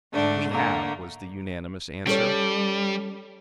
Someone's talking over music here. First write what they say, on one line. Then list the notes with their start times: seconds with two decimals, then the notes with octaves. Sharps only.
"We have," was the unanimous answer.
0.14 G#2 D3 A3 D4
0.52 D3 A3 A#3
2.07 G3 C#4 A4 C#5